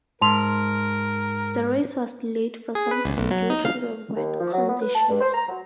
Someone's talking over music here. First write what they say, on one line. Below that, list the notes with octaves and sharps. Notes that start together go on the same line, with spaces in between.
The race was delayed for some time due to the wet conditions.
G#2 A#4 A5 C6 F7
G#4
B4
C#2
B1
F#3
D#4
F5
D#2
F3
F#3
B3
B4
A5
G2
C5
A#5
F#3